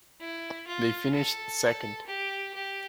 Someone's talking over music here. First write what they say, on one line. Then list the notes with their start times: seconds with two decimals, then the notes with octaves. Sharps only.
They finished second.
0.20 E4
0.67 F4
1.14 A4
2.06 G4
2.54 G4